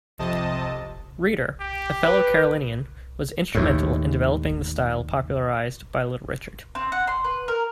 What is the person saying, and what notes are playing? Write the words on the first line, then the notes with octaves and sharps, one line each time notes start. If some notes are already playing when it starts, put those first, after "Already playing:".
Reeder, a fellow Carolinian, was instrumental in developing the style popularized by Little Richard.
F2 C3 D#5 A5
G4
B4
D#2 A2
C4
F#5
C6
B4
A#4